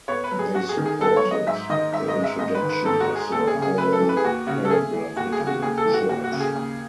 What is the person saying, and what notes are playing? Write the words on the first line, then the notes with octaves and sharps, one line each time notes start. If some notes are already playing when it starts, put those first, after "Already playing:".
They supported the introduction of the Aryan Paragraph into the Church.
B3 C#5
B4
F#3
G#4
E2 F#4
G#4
D#3
G#4
B3 A4
C#5
F#3
D#5
G#2 E5
D#3 D#5
G#2 E5
D#5
G#3
E5
G#2 D#5
B4
D#3
B4
G#2 A4
F#4
G#3
G#4
D#2 A4
G#4
C#3
G#4
A3 B4
A4
E3
B4
G#4
D#2 F#4
C#3 F#4
A4
A3 G#4
E3
D#2 F#4
G#4
C#3
F#4
D#2 G#4
A4
E3
F#4
D#2 F#4
F#4
C#3
G#4
D#2